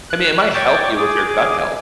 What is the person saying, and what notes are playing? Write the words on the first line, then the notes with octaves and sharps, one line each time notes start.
I mean, it might help you with your gut health.
F#6
C#5 D5 G5 C#6 D6
G#4 D6